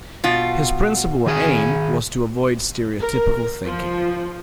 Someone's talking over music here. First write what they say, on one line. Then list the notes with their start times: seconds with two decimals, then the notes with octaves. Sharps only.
His principal aim was to avoid stereotypical thinking.
0.24 B2 F4
1.26 D#3 G#4 G#5
3.01 A#4
3.64 F3